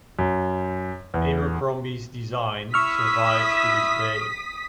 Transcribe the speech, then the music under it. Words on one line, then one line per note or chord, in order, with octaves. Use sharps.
Abercrombies design survives to this day.
F#2
E2
E4 E5 C#6 D#6 F6 B6